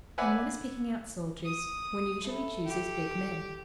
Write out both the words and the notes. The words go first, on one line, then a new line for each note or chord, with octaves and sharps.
When one is picking out soldiers, one usually chooses big men.
B4 D5 E5 F#5 G#5
D#6
E4 A4
G4